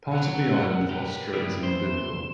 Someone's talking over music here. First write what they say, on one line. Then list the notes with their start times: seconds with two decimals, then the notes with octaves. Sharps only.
Part of the island of Austra is in Bindal.
0.12 C#2 F3 B3 C#5 F#5 A#5
0.47 B2
0.89 G4 A#4 B4
1.33 G2 G3 E4 G4 A#4 B4 D#6
1.63 F#2 E3 F3 C5 C6 E7
2.01 G3